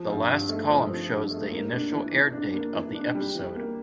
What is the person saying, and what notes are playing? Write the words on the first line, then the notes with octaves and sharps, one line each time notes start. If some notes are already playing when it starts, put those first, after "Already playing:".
The last column shows the initial air date of the episode.
Already playing: F3
G2
G2
A3
F3
F3
G2
A3
A#3
D4
E3
E3
D4
A#3
E3
D4
G3
E3
A#3